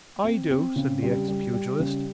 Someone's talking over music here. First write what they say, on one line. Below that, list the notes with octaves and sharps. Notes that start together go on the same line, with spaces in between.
"I do," said the ex-pugilist.
C4
C4
C#3
G3
G3
G3
C#3